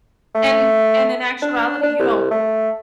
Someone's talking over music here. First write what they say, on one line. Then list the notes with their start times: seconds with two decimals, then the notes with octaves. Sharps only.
and and in actuality, you don't
0.35 A3
1.42 D4
1.83 D4
2.00 C2
2.31 A3